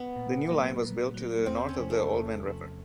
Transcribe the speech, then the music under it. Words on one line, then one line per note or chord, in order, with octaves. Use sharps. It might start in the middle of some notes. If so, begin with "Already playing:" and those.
The new line was built to the north of the Oldman River.
Already playing: B3
A#2
F#3 A#3
A#2
F#3 A#3
E2 C4
C#4
C3 F3
A3
E2
C3 F3